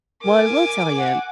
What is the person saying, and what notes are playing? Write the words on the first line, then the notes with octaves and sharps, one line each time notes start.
Well, I will tell you,
A#4 G#5 D6
F#5